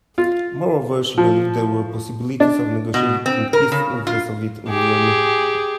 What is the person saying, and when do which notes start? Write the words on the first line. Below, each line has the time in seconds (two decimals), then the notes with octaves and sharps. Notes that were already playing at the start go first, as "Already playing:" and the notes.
Moreover, she believed there were possibilities of negotiating peace with the Soviet Union.
0.18 F4
1.18 F3
2.40 D4
2.94 B2
3.26 C4
3.53 A#4
3.72 C#3
4.07 F4
4.68 G4 G#4